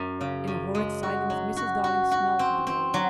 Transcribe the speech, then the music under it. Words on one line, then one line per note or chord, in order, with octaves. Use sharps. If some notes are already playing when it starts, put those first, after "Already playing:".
In a horrid silence Mrs. Darling smelt the bowl.
Already playing: F#2
C#3
F#2
G#3
F#4
F#3
F#4
F#4
F#4
C4
C4
F#3